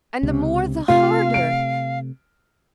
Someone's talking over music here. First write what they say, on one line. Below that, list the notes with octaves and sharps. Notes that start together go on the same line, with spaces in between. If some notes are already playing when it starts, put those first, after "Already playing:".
And the more the harder!
C#2 C3
C3 A3 F4 F5
D7